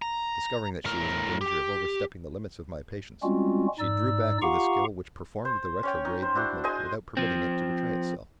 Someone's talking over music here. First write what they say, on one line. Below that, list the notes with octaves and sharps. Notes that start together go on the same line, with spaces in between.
Discovering that she was in danger of overstepping the limits of my patience, she drew back with a skill which performed the retrograde movement without permitting it to betray itself.
A#5
A2 A#4
G4
G3 G#3 C4 C#4 F4 F#4
G#2 D#4 D5 E6
F4 G4 F5 F#5 A#5 C#6
C5
C#4 C#5 G5
C#4 D#4
C5
D4 E4 F#4 C5
G#4 C5 D#5 G#5
F3 C4